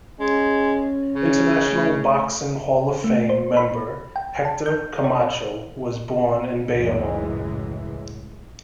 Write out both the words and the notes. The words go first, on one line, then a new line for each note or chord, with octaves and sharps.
International Boxing Hall of Fame member Hector Camacho was born in Bayamon.
G#3 C#4
C#3
A3
A3
C5
B5
G5
A5
G6
C#5
C#2 F#2 A2 E3 G#3